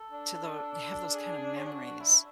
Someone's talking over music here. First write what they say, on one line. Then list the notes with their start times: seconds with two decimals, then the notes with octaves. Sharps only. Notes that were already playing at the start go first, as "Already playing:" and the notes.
to the have those kind of memories.
Already playing: A4
0.11 D4
1.14 G#4
1.57 C#4
1.66 D4 F#4
1.83 F#4
2.01 E4